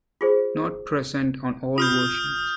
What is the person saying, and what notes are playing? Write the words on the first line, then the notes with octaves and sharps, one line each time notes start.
Not present on all versions.
F4 G#4 C5
F4 D#6 F6 G6